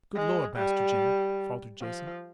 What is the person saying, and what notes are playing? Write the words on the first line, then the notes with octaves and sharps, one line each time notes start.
"Good Lord, Master Jim!" faltered Jason.
G#3
G3
F3